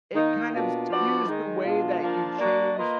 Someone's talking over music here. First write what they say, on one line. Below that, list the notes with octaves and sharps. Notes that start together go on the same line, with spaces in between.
it kind of skews the way that you change,
D#3 A#3 D#4
B2 A#3 D4 F4
F3 B3 D4 F#4 D5
D#3 G#3 D#4
B2 G#3 D4 F4
F3 A#3 D4 F4 A#4
A#3 D4 F#4 D5
A#3 F4 B4 D#5